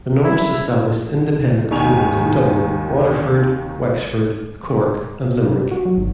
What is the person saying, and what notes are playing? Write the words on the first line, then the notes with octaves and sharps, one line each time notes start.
The Norse established independent kingdoms in Dublin, Waterford, Wexford, Cork and Limerick.
E4
D#2 D#3 G#5 F7
C3
G4
F#4
F#3
G#1